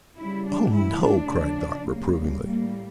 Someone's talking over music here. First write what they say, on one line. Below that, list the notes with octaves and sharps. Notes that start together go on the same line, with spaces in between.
"Oh, no," cried Dot reprovingly.
C#3 G3 E4
D4
A2 E3 G3 E4
D4
C#3 F3
C#3 G3 A#3
A2 G3 A#3